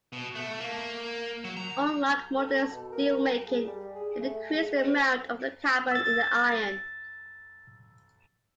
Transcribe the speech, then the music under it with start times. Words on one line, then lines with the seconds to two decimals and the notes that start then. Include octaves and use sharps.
Unlike modern steelmaking, it increased the amount of carbon in the iron.
0.13 B2
0.35 A3
0.61 A#3
1.44 F#3
1.57 A#5
2.37 A4
2.72 B2
2.92 A#4
3.47 G#4
3.67 G3
3.95 G#4
4.22 A3
4.52 G#3
4.79 C4
5.92 E6 A6